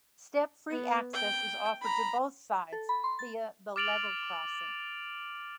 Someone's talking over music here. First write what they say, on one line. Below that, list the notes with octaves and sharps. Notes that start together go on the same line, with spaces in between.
Step-free access is offered to both sides via the level crossing.
B3
G5
A#5 B5
A4
B5
C6
A6
D6 F6 A6 D7 F7 F#7